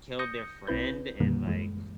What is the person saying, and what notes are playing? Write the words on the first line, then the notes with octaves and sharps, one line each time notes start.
killed their friend and, like,
D#6 G6 A#6 C#7
B1 C4 E4 B4 G6
F2 A#2 D3 D#3 G3 A#3
F#2 E3 G#3